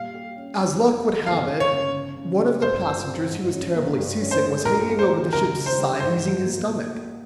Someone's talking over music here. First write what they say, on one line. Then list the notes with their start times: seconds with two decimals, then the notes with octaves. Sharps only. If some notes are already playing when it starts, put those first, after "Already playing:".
As luck would have it, one of the passengers, who was terribly seasick, was hanging over the ship's side easing his stomach.
Already playing: A#2 G3 F5
0.14 G4
0.36 C#4
0.59 F2
0.82 D#4
1.04 A#3
1.26 G1 F5
1.49 G1
1.60 C#5
1.71 C#3
1.94 C#3
2.16 C#3
2.39 C4
2.62 G2 C5
2.84 F4
3.07 C4
3.30 G#2
3.52 C#4
3.75 A#3
3.98 G2
4.20 C#4
4.31 C5
4.42 G#3
4.64 A#1 A#4
4.88 A#3
4.99 C5
5.10 D#3
5.32 C#2 A#4
5.55 C#2
5.66 C5
5.77 G3
6.00 G#2 C5
6.23 G#2
6.45 A#3
6.67 A#2
6.90 G4